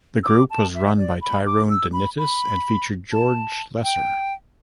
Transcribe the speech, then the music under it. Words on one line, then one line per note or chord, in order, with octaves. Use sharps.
The group was run by Tyrone DeNittis and featured George Lesser.
E6
D6
A5
E5
D5
B5
D6
E6
B5
B5
A5
G5